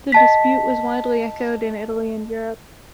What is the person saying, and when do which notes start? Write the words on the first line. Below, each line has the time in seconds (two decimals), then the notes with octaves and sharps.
The dispute was widely echoed in Italy and Europe.
0.12 D#5 A5 B6